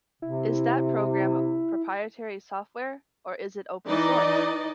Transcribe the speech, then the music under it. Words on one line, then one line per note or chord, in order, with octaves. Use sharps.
Is that program proprietary software, or is it open source?
C3 E4
E3 D#4 D5 D#5